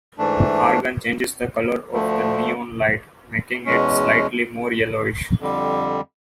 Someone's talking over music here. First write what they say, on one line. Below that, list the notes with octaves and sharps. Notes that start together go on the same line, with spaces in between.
The argon changes the color of the "neon light", making it slightly more yellowish.
G#2 E3 A3 D4
D2 D3 F3 A3
E2 B2 G#3 C#4
F2 D3 G3